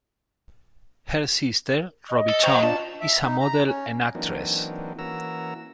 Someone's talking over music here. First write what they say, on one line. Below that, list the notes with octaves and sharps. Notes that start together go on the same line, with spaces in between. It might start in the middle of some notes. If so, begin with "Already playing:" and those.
Her sister Robbi Chong is a model and actress.
D#5
A4
F#4 C5 G5 A#5 C#6
D4 F4 A5
E5
D#4
A#5
C#4
E3 F#3 A#3 C4 D4 D#4
E3 A#3 C#4 F#4 A#5 E6